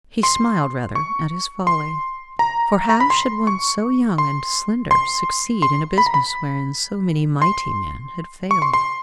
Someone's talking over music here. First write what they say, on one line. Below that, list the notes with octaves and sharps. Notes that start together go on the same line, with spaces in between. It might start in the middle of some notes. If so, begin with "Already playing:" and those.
He smiled rather at his folly, for how should one so young and slender succeed in a business wherein so many mighty men had failed.
C6
C#6
C6
A#5
A#5
B5
C6
C#6
C6
C6
C6
B5
A#5
B5
C6
C#6
C6
C6